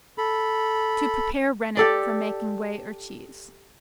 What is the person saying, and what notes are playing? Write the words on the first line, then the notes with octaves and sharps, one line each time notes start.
To Prepare Rennet for making Whey or Cheese.
A4 B5
G4 A4 D5